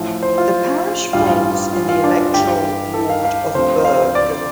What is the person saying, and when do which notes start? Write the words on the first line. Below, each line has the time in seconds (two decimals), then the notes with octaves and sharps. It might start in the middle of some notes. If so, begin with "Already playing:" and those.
The Parish falls in the electoral ward of Burgh.
Already playing: A1 A2 F3
0.23 C5
0.38 F4
1.13 A1 G2 G3 F4
1.73 F4
1.89 F4
2.04 D4
2.18 F4
2.34 G1 G2 G3 G4
2.94 A4
3.10 F5
3.24 F5
3.54 D2 C3 F3 C5
3.85 F5
4.15 D5